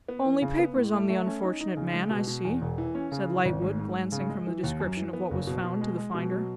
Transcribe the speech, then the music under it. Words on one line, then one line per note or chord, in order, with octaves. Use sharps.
'Only papers on the unfortunate man, I see,' said Lightwood, glancing from the description of what was found, to the finder.
B3
E3
C#3
B3
A2
A3
A3
C#4
D#4
D#4
C#3
G#3
B2
B2
E2
E1
E3
C#4
C#3
E3
G#1
G#2
G#2
G#2
C#3
G#3
E3
D#2
F#2
E3
B3
F#1
B2
B2
G#3
G#3
B2
F#3